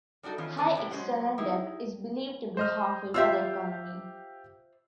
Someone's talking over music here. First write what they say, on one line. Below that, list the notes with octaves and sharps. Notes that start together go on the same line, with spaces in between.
High external debt is believed to be harmful for the economy.
G3 D4 D#4 F#4 A4
D#3 E3 B3 C#4 F4
F2 D3 D#3 C4 C5 G#5
A2 C3 G4
F#3 G#3 C#4 C5 F#5
D#4 E4 G4 G#4
C5 D#5 F6
F4 G4 C5 E5 F5 E6